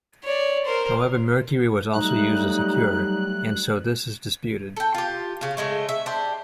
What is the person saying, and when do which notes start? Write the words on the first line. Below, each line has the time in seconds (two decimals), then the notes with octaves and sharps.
However mercury was also used as a cure, and so this is disputed.
0.23 C#5 D5
0.65 A#4 C5
1.93 F#3 G3 A3 D#4 F#6
4.76 A4 G5
4.94 F4 G4
5.41 C#3 F4
5.57 C#3 F3 G#3 A3
5.89 E5
6.06 D4 G4 C5